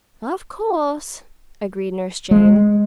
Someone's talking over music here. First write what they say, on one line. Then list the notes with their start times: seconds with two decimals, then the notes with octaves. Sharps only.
"Of course," agreed Nurse Jane.
2.31 G#3